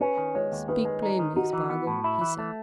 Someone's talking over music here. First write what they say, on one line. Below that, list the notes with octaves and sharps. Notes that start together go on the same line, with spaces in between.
"Speak plainly, Spargo!" he said.
C#4 B4
D#3
G#3 C#5
D#2
D#3 B4
G#3
D#4
D#3
D#4 F#4
E3
B3
A2
E4
E3
A3